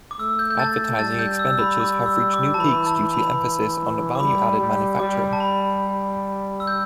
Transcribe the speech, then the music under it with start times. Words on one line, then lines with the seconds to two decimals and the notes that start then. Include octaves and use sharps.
Advertising expenditures have reached new peaks due to emphasis on value-added manufacturing.
0.11 D6
0.19 A3 E6
0.39 G6
0.51 G6
0.59 A5 A6
0.99 G3 A5 A6
1.19 G6
1.39 E6
1.59 B5
1.80 D6
2.06 E6
2.33 D6
2.54 A5
2.59 E3 B5
2.87 A5
3.13 B5
4.15 D6
4.20 G3 B5
4.60 G3
4.99 G3 D6
5.33 A5
5.40 B5
6.60 E6
6.67 G6